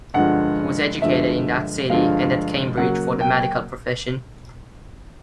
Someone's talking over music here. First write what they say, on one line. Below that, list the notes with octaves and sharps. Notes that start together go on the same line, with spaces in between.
He was educated in that city and at Cambridge for the medical profession.
G2 D3 F3 G#3 F#5
G2 D3 F3 G#3 E5
G2 D3 F3 G#3 F5
C#3 F#3 A#3 F#5
G5